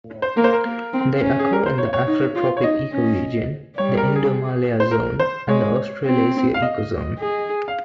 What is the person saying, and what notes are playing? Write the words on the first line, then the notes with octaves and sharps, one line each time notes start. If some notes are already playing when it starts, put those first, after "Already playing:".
They occur in the Afrotropic ecoregion, the Indomalaya zone, and the Australasia ecozone.
C5
A#3 A#4
C5
A#4
A#3
C4
C#4
G#4
A#4
C5
C#5
C#5
D#4
F4
C#5
D#4 D#5
C#4
G3 C#5
A#4
G#4
C5
A#4
C5
G#3 C#5
C4
F5
D#5
G#4
F5